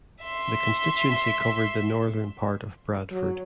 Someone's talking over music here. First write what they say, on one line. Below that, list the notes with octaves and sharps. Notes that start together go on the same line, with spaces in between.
The constituency covered the northern part of Bradford.
E5 C6
F#3